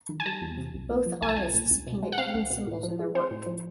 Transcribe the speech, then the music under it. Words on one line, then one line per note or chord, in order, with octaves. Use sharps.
Both artists painted hidden symbols in their work.
D#3
G#5
G3 A5
E2
C3
C2
A#2
F3
C2 G#5
A5
C2 G#5
A#2
C#2
B2
G#3
F#5
C4 F5
C#2
B2
A2
F3
G#3
C4 C5
A2
F3